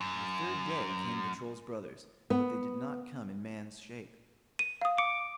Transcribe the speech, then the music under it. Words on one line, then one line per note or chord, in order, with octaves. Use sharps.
The third day came the Troll's brothers, but they did not come in man's shape.
F#2
B3
D#7
F5 D#6
D6 C#7